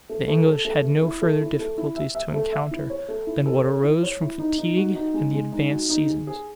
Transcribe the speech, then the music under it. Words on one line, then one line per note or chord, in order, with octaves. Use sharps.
The English had no further difficulties to encounter than what arose from fatigue and the advanced season.
A3
A3
A4
A3
A3
E4
A3
E4
A3
E4
E5
E5
A3
E5
E4
C#5
A3
E4
A4
C#5
E4
C#5
E4
D#4
D#4
F#4
D#4
G#3
G#3
D#4
F#4
D#4
G#4
G#4